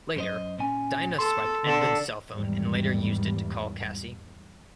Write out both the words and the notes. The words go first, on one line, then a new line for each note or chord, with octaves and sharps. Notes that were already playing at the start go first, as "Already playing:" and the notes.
Later, Dinah swiped Edmund's cell phone and later used it to call Cassie.
F#2 C5 D#5
A#2 C#4 G#5
A4 C6
D3 D4 A4
E2 G#2 D#3 G3